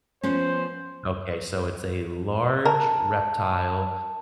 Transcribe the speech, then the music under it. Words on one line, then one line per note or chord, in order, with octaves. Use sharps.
Okay, so it's a large reptile
F3 B3 C#4 C5
A#4 A5